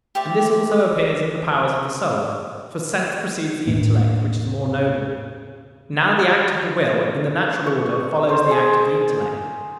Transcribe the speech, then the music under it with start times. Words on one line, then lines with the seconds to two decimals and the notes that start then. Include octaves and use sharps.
And this also appears in the powers of the soul: for sense precedes the intellect, which is more noble. Now the act of the will, in the natural order, follows the act of the intellect.
0.15 G4 C5 D5 E5
3.67 E1 A2 A#3 D4
7.66 C#6
8.29 C5
8.51 G#4